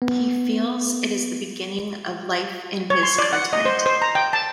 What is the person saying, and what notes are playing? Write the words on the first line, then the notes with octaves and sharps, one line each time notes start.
He feels it is the beginning of life in his continent.
B3
C#5
C6
D5
F#5
D#5
C5
C5
A#5
G5
A5